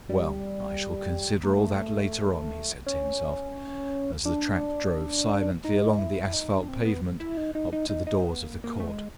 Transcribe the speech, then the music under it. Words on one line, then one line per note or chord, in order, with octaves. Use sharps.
"Well, I shall consider all that later on," he said to himself, as the trap drove silently along the asphalt pavement up to the doors of the Court.
G3
A#3
A3
C#4
D4
D#4
E4
E4
D#4
D4
C4
B3
E4
D#4
D#4
D#4
D#4
D#4
B3
A#3
A#3
A3
G#3